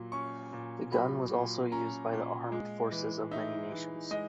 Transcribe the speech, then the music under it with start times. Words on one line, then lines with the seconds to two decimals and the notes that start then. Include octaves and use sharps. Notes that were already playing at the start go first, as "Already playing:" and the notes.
The gun was also used by the armed forces of many nations.
Already playing: A#2 F#3
0.12 C#4 C#6
0.53 A#2
0.92 F#3 B5
1.32 A#2
1.72 C#4 A#5
2.12 A#2
2.52 G#3
2.91 E3
3.31 D#4 E5
3.72 E3
4.11 G#3 D#5